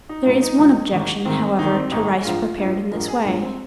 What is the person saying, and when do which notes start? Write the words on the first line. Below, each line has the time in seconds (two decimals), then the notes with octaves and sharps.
There is one objection, however, to rice prepared in this way.
0.09 D#4
0.25 A#1 G#2 F3 F4
0.42 D#4
0.59 A#1 G#2 F3
0.92 G#1 G#2 D#3
1.25 G#1 G#2 D#3 C4
1.58 G#1 G#2 D#3 D#4
1.75 C4
1.92 G#1 G#2 D#3 D#4
2.08 G#4
2.25 A#1 G#2 F3 F4
2.42 F4
2.58 A#1 G#2 F3
2.91 A#1 G#2 F3 A#4
3.08 G#4
3.24 A#1 G#2 F3
3.41 C4